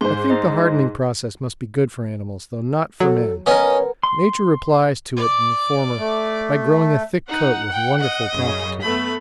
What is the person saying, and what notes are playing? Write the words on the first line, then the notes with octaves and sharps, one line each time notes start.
I think the hardening process must be good for animals though not for men; nature replies to it in the former by growing a thick coat with wonderful promptitude.
G#2 C5 C6
D#4 D#5
F#3 A4
B3 C#4 A#4 C#5 D#5
C6
D5 D6
A3
D#4 F#5
G5
D#5
F#2 C#3
A3 B3 B5